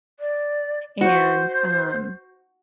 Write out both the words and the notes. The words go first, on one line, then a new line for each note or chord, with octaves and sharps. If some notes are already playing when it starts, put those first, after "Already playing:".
And, um,
D5
F#4 C5